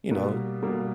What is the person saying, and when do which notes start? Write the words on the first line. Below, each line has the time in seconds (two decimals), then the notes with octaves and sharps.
you know,
0.11 B2 G3 A#3
0.62 B2 G3 A#3